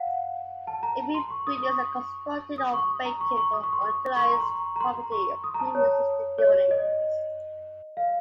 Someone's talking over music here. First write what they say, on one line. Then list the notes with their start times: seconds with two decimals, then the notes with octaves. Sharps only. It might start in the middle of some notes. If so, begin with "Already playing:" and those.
Infill buildings are constructed on vacant or underutilized property or between existing buildings.
Already playing: F5 F#5
0.67 A5
0.83 A#5
1.14 C6
1.30 C#6
1.47 D#6
1.58 D#6
1.63 C#6
2.58 D#6
2.74 C#6
3.05 A#5
3.21 C#6
3.37 C#6
3.53 D#6
3.63 C#6
3.73 C6
3.82 C#6
4.16 C#6
4.25 C6
4.33 A#5
4.41 C6
4.76 A#5
4.81 C6
5.12 C#6
5.44 D#6
5.54 A#5
5.60 A5
5.75 C#5
6.38 C#5
6.71 D#5
7.97 F5